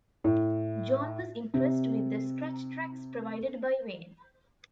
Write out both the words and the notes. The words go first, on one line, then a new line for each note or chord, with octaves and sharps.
John was impressed with the scratch tracks provided by Wayne.
A2
C3